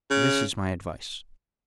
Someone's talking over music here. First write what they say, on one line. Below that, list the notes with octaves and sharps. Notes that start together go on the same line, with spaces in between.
This is my advice.
C#3